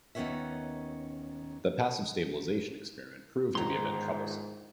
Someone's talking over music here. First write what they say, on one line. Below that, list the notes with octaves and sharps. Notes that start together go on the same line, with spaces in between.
The passive stabilization experiment proved to be a bit troublesome.
D#2 D#3 F3 B3 C#4 E5
G1 G#2 D#3 C5 A#5 C6